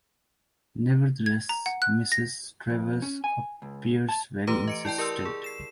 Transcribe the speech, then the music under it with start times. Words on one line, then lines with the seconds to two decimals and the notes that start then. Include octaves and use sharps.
Nevertheless, Mrs. Travers appears very insistent.
1.26 G#6
1.49 A#5
1.66 F#5
1.82 F#6
2.12 A#6
2.70 F2
3.02 C#4
3.24 G#5
3.62 C#2
4.09 A5
4.47 E3 A3 G4 B4 A#5 D6
4.68 D#5 C#7 D7
4.85 E4 D5 G5 A5
4.98 G4 A#4 D5 C6 E6
5.25 G#4
5.44 C7 E7